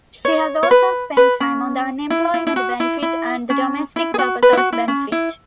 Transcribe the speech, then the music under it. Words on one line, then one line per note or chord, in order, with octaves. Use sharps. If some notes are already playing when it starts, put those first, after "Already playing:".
She has also spent time on the unemployment benefit and the domestic purposes benefit.
C#5
C#5
B4
B4
C#4
E4
E4
E4
F#4
E4
E4
C#4
E4
G#4
F#4
B4
E4
F#4
E4
C#4
E4